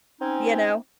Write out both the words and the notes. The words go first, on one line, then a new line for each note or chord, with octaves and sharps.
you know?
C4 C#4 D#4